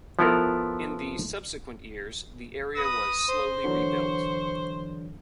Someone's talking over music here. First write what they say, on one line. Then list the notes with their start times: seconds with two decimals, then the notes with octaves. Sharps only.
In the subsequent years, the area was slowly rebuilt.
0.19 F3 B3 E4 A4 A#4
2.77 B4 D#6 A#6
3.29 C5
3.64 D3 E3 F#3 C#6